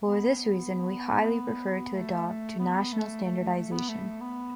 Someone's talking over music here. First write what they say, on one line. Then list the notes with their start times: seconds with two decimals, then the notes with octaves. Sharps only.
For this reason we highly prefer to adopt to national standardization.
0.02 B3
0.35 B3
1.95 A3
2.27 A3
2.59 B3
2.92 A3
3.24 A3
3.40 A3
3.56 A3
3.72 B3
3.89 A3
4.21 B3